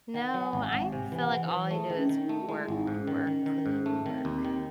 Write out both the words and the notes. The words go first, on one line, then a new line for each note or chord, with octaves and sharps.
No. I feel like all I do is work, work, clean, work,
D#3 F#5
F#3
G#5
G#1
F#5
G#1
C3 G#5
E3
F#5
E3
C5
E3
A3 G#4
D#3
C#4
D#3 C#4
D#4
A3
F#4
G#3 E4
G#1
D#4
G#2
C#4
D#3
D#3
D#3
G#2
A3
D#3 C4
D#2
C4
D#3